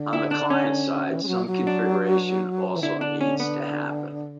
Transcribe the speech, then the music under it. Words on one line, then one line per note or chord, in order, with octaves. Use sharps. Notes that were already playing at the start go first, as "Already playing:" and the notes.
On the client side some configuration also needs to happen.
Already playing: D3
E4
D4
C#4
E3
G#3
F#3
F#3
D4
E3
D3 E4
D4
C#4
B3